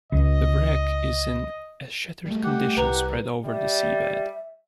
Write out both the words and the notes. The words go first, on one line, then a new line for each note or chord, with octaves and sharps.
The wreck is in a shattered condition spread over the sea bed.
C#2 D#5
G3 A3
G4 F#5
C2 B4 A#5
G3 E5